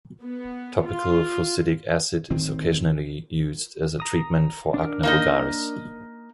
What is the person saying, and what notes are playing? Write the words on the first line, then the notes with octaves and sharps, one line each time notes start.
Topical fusidic acid is occasionally used as a treatment for acne vulgaris.
B3
F4
D1 D#3 C4
A#5 D#6
D4 A#4
A#3 D#4 D#5